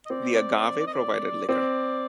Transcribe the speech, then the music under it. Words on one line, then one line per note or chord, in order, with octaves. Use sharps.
The agave provided liquor.
D#5
C4 D5
D5
D5
D5
D#5
D5
C4 D5